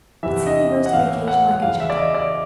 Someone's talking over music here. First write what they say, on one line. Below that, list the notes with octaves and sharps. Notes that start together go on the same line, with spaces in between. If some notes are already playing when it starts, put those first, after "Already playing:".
But Sandy rose to the occasion like a gentleman.
E2 C3 E3 E5
D#5
F#5
A2 E3 F5
F#5
F#5
E2 C#3 E3 F5
E5
D5
D#5
D5